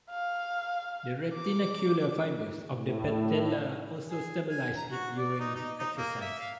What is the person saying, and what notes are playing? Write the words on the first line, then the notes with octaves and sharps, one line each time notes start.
The retinacular fibres of the patella also stabilize it during exercise.
F5
D6
A2
G#4
G#5
A#5
F#4
D5
D#4
D#4
D#4
A#3
E5
F5